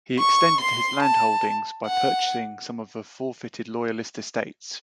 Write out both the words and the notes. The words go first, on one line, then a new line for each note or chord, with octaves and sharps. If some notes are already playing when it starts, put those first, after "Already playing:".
He extended his land holdings by purchasing some of the forfeited Loyalist estates.
C#6
C6
A5
F#5